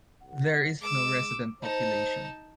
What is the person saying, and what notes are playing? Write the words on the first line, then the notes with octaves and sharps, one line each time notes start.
There is no resident population.
C2 F#5
G#3 D6 E6
D#4 C5 A5